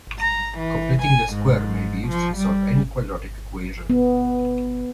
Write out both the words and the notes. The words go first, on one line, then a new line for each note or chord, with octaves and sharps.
Completing the square may be used to solve any quadratic equation.
A#5
E3
G#5
G#2
F3
G3
B3